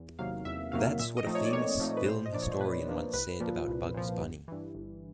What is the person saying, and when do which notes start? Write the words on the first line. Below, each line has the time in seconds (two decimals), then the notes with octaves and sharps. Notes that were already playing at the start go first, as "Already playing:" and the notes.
That's what a famous film historian once said about Bugs Bunny.
Already playing: E2
0.19 C3 D#3 F#3 A#3 F5
0.45 E2 E5
0.72 C3 D#3 F#3 A#3 F5
0.99 A#2 E5
1.17 D#5
1.26 F3 A3 C4 D#4
1.35 C#5
1.45 D5
1.53 A#2 C#5
1.80 F3 A3 C4 D#4
1.97 B4
2.06 A#2 C5
2.26 D#5
2.33 F3 A#3 D4 D5
2.42 C#5
2.52 C5
2.60 A#2 B4
2.86 F3 A#3 D4
3.13 C2 B4
3.40 A#2 F3
3.68 C2
3.94 A#2 F3
4.20 G1
4.48 G2 E3
4.75 G1